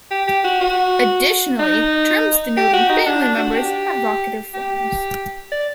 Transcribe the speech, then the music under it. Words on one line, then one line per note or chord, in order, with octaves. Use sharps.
Additionally, terms denoting family members have vocative forms.
G4
G4
F#4
F#4
D#4
G4
F#4
D#4
D4
D4
F#4
F#4
G4
G4
D5